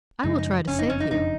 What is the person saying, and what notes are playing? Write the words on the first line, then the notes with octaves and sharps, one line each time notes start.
I will try to save you.
F#2 C#3 F3 G#3 D#4
D#4
F#1 F2 C#3 C#4
D#4
C#4
D#4
F#1 F2 C#3 D#4